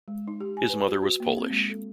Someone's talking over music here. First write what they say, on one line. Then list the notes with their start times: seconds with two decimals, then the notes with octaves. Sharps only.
His mother was Polish.
0.08 G#3
0.28 D#4
0.40 G4
0.57 G#5
0.69 B4
0.88 F#4
1.02 F#4
1.20 A#3
1.38 C4
1.51 G#3
1.70 A4